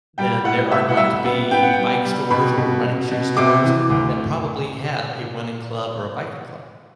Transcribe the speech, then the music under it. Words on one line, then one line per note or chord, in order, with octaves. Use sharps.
then there are going to be bike stores or running shoe stores that probably have a running club or a biking club.
G3 G5
A2 F#5
A2 E5
F#5
G3 E5
B3 F#5
B3 G5
F#5
G3 G5
G3
B2 B5
B2
B2
B2
C3 D6
E3
D2